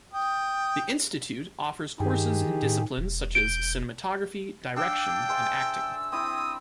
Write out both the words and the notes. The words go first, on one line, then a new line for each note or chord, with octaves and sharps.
The institute offers courses in disciplines such as cinematography, direction and acting.
G5 D#6
G2 D#3 G4 G#4
A2
E1
G6 D7
D4 D5 F5 G5 E6
G#4 C5 E5
C4 E4 G5 D#6